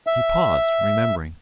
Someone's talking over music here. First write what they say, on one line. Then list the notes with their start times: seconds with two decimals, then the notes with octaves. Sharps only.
He paused, remembering.
0.07 E5